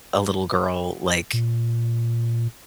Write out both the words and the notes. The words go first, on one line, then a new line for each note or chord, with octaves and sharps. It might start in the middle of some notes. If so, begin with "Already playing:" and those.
a little girl?" Like
A#2